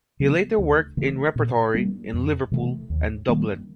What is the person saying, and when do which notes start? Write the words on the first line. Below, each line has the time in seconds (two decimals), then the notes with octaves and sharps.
He later worked in repertory in Liverpool and Dublin.
0.20 C#3 F#3 B3
0.58 D2
0.97 C#3 E3 A3
1.36 A#2
1.74 G3 A#3
2.13 F2
2.52 C3 E3 A3
2.90 D#2
3.29 D#3 G3 A#3